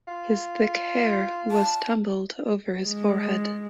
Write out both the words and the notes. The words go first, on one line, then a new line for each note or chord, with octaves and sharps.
His thick hair was tumbled over his forehead.
F4
A5
G#3